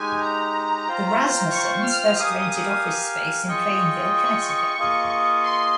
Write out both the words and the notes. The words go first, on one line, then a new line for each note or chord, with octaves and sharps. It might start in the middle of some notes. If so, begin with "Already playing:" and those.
The Rasmussens first rented office space in Plainville, Connecticut.
Already playing: G#3 D#4 G4 G#5
A#5
F4 C5 G5
C#6
F6
G4 A#4 F5 G#5 D#6
F4 G#4 D#5 G5 C#6
C#6
A#3 F4 G#4 D#5
C6